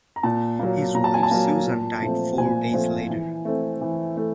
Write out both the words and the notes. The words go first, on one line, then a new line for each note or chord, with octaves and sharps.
His wife Susan died four days later.
A#5
A#2 A5
F#3 A#3
A#2 A#5
A5
G#5
A5
F#3 A#3
A#2
F3 A3 C4
A#2 G#5
F3 A3 C4
E3
A3 C4
E3
A3